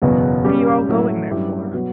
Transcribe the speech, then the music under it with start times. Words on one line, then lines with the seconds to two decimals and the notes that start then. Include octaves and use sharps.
"What are you all going there for?"
0.02 F#1 E2 B2 F#3 B3
0.44 C#3 G3 C#4 G4
0.88 A2 F#3 A3 E4
1.30 G2 F#3 C#4 E4 G4
1.73 B2 F#3 B3 F#4